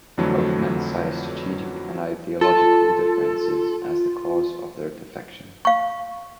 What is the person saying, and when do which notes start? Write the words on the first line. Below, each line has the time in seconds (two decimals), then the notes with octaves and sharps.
Both men cited strategic and ideological differences as the cause of their defection.
0.18 F2 D3 E3 F#3 A3
2.41 F4 A4
5.65 F5 C#6